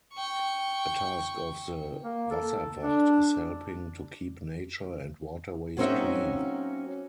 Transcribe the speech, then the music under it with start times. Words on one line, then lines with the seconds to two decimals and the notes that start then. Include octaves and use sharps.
A task of the Wasserwacht is helping to keep nature and waterways clean.
0.13 G5 C#6
2.04 A#3
2.31 A4
2.84 D4
5.77 F#3 A#3 C4 C#4 D#4 E5